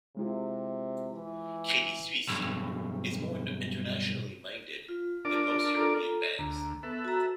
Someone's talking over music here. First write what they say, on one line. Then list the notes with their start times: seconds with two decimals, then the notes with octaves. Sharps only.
Credit Suisse is more internationally minded than most European banks.
0.17 C3 G#3 E4 F4
1.14 E3
2.28 B1 G2
4.88 F4
5.25 D4 A#4 D5
5.73 F4 A4 A#5
6.39 D2 A#5
6.83 B3 A4 B4 E5
7.05 F#4 A#5